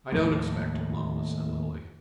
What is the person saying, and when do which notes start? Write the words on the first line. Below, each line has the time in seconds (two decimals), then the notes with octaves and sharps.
"I don't expect it, mamma," said Lily.
0.12 D#2 A2 F3 A#3